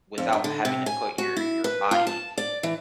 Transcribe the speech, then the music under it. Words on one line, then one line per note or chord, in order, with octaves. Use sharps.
without having to put your your body,
F2
G2
D3
C3
G#5
F#4
E4
B4
F4
A5
D5
E3